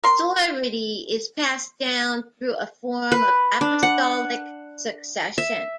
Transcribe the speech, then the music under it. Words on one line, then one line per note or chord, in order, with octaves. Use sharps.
Authority is passed down through a form of apostolic succession.
A#4 C6
B4
D4
F#5
E5